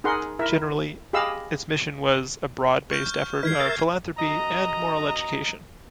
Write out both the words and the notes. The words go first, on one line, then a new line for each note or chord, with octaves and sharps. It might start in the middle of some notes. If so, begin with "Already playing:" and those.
Generally, its mission was a broad based effort of philanthropy and moral education.
D#4 G#4 A#4 F#5 C6
E4 A#4 E5
G4 G#4 D#5 F5 B5 E6
C#6 F6 G6
D#3 E3 B4 F6 G#6 C7
A#4 E5 A6
F#2 D#5 A#5